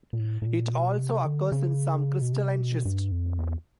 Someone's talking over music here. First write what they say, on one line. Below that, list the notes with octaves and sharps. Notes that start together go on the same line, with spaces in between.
It also occurs in some crystalline schist.
A#2
A2
A2
A#2
B2
C3
D3
C#3
B2
C3
B2
G2
F2
E2